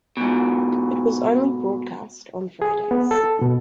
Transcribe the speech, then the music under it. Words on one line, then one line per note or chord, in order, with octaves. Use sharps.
It was only broadcast on Fridays.
G#2 B2
G#4
B3
A4
B2